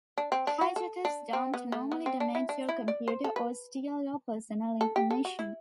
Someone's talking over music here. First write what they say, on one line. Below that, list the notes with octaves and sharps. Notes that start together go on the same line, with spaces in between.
Hijackers don't normally damage your computer or steal your personal information.
D4
C4
D4
F#4
A4
D4
C4
B3
A3
B3
C4
D4
E4
D4
E4
D5
C5
A4
B4
A4
G4
A4
F#4
E4